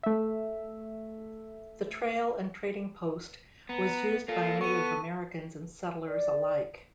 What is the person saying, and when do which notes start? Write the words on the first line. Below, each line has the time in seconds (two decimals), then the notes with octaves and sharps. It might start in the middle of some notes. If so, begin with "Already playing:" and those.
The trail and trading post was used by Native Americans and settlers alike.
0.03 A3 E5
3.69 B3 A#5
4.28 A#3 F4 A4
4.61 B3 C#6 D#7
6.08 D5